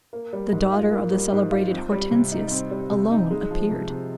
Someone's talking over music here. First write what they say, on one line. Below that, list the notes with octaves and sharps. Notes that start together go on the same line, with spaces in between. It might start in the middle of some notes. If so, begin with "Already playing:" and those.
The daughter of the celebrated Hortensius alone appeared.
A#3
G3
G#2
F4
A#3
G3
G#2
F4
C4
G3
C3
D#4
C4
G3
C3
D#4
G#3
F3
C3
C3